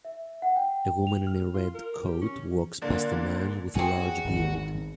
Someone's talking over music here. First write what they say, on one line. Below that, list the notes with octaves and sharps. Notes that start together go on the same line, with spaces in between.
A woman in a red coat walks past a man with a large beard.
E5
F#5
G5
F7
F6
F4
A#4
G4
C#4
A#2 D3 A#3
E2 C4 F#4 G#4
G#1